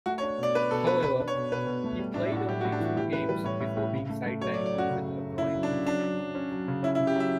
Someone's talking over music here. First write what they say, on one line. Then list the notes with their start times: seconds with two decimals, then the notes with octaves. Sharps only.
However, he played only two games before being sidelined with a groin injury.
0.06 A3 F#4
0.18 C#5
0.22 D4
0.38 B2 D5
0.55 D4 B4
0.71 B2 A4
0.87 D4 B4
1.03 B2 B4
1.19 D4
1.28 C#5
1.35 B2
1.52 B2 B4
1.67 B2
1.84 A3
1.99 G3
2.14 A2 D4
2.26 E4
2.32 A2 F#4
2.48 A2 G4
2.61 F#4
2.65 A2
2.72 D4
2.80 E3 F#4
2.96 A2 G4
3.13 A2 B4
3.29 G3 B4
3.44 A2 C#5
3.60 A2
3.77 A2
3.93 C#3
4.09 A3
4.26 A3
4.41 F#3 C#5
4.54 D5
4.57 F#3
4.66 D5
4.74 F#2 F#4
4.90 C#3
5.06 C#3
5.22 F#2
5.38 C#3 E4
5.55 F#3
5.63 D4
5.71 C#3
5.86 F#3 D4
6.03 F#3
6.19 F#3
6.35 C#4
6.52 F#3
6.68 C#3
6.83 C#4 E4
6.95 E4
7.00 C#3
7.07 G4
7.16 F#3 E5